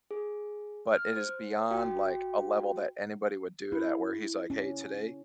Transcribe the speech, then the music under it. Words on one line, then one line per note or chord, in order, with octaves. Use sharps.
but it is beyond like a level that anybody would do it at where he's like, "Hey, today
G#4
F6
C5
F#4 G5
E4
C#4